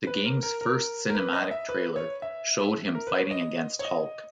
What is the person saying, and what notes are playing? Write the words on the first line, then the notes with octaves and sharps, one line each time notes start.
The game's first cinematic trailer showed him fighting against Hulk.
B4
A#4
A#4
A#4
A#4
B4
D#5
E5
B4
C#5
E5
A#4
B4
C#5
D#5
C#5
D#5